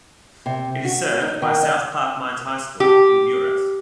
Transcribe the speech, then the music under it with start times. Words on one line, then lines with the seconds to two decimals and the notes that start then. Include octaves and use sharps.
It is served by South Plaquemines High School in Buras.
0.46 C3
0.85 F#4
1.21 D#4
1.42 D#3
1.63 D#5
2.80 G4